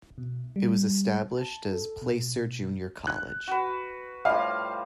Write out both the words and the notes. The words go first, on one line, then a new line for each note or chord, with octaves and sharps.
It was established as "Placer Junior College".
B2
G3
A5
A4
B2
F#6
F#4 B4
A2 F3 G3 F5